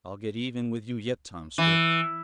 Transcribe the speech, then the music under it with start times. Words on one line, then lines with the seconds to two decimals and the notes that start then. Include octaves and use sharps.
"I'll get even with you yet, Tom Swift!"
1.58 E3